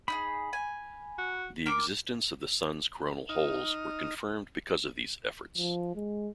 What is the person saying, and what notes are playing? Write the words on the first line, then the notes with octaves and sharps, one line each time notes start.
The existence of the Sun's coronal holes were confirmed because of these efforts.
D#4 E4 G#4 B5
G#5
F#4
A#4 G5 D6
D#4 D#6 F6
F3
G#3